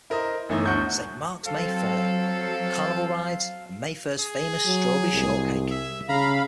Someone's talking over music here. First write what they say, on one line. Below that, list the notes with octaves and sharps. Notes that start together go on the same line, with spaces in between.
Saint Mark's May Fair: carnival rides and May Fair's famous strawberry shortcake.
E4 A#4 C5 D#5
G1 E3 A3 D#4
D2 F#5 C#6 G6
F#3 C4 A4 F5
G#4
F#3
C2
E5
C#3 F5 A#5 B5